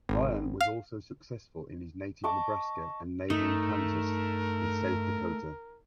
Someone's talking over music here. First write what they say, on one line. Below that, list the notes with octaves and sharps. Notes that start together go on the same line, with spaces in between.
Bryan was also successful in his native Nebraska and neighboring Kansas and South Dakota.
G#1
F5
D#5 A5 C#6 D6
G2 A3 D#4 A#4